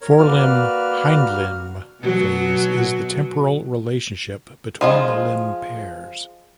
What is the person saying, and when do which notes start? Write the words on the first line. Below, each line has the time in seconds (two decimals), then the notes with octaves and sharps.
Forelimb-hindlimb phase is the temporal relationship between the limb pairs.
0.02 A#4 C#5 A#5
0.18 A#3 F#4 B4 D5 F6
2.01 B2 F#3 F#4
4.81 F3 G#3 F4